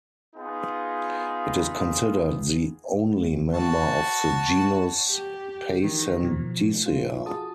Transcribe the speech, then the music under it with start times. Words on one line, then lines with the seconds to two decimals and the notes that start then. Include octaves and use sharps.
It is considered the only member of the genus Paysandisia.
0.35 B3 D#4 F4 G#4
3.54 F#4 C#5 A5
5.08 G4
5.81 D#3
6.24 B2 F3
6.86 F4
7.26 F#4 G#4 A5 D#6